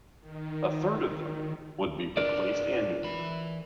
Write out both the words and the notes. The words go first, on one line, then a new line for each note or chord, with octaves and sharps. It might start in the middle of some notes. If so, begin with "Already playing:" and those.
A third of them would be replaced annually.
D#3
G#3 D4 A#4 B4 D5
E3 B5